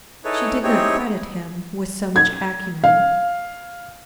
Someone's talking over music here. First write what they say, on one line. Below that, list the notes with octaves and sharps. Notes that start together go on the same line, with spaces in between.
She did not credit him with so much acumen.
D#4 E4 G#4 A4 B4 C#5
C4 D#4 E4 G4 G#4 C#5
G#6
F5